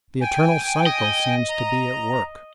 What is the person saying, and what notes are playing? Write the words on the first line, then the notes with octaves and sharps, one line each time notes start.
The eternal cycle seems to be at work.
G5 G#5
D#5
A#5